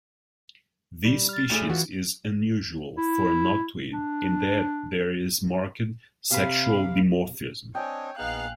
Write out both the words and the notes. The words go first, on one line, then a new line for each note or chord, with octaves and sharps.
This species is unusual for a noctuid in that there is marked sexual dimorphism.
G3
F6 A6
D2 A2 G#4
E3 F4 F#4
E4
D4
C3 G4 F5 B5
C4 D4 C#5 D#5 G5 G#5
A#1 B3 D#4 G#4 F5 F#6